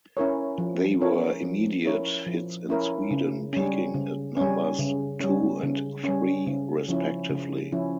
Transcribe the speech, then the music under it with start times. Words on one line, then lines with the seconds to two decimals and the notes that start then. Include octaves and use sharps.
They were immediate hits in Sweden, peaking at numbers two and three respectively.
0.17 C#4 E4 A#4 C#5
0.58 F3
1.01 C#4 E4 A#4 C#5
1.42 F3
1.85 C#4 E4 A#4 C#5
2.27 F3
2.69 C#4 E4 A#4 C#5
3.11 C#3
3.53 G3 C#4
3.94 C#3
4.37 G3 C#4
4.79 C#3
5.20 G3 C#4
5.63 C#3
6.04 G3 C#4
6.46 C#3
6.88 F3 C#4 E4
7.30 C#3
7.72 F3 C#4 E4